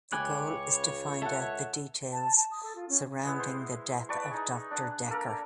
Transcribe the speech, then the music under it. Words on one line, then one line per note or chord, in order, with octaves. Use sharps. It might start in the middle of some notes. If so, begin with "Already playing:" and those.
The goal is to find out the details surrounding the death of Doctor Dekker.
C#2 C#5 G5 G#5 B5 D6 F#6
A4 E5 F#5
A5
A5
D#6
A4
F4
C#4
G#3 B3 E4
C5
B4 D5 A5 C#6
D#4 G#4
D4 D5 F#5
A#3 A4 A#4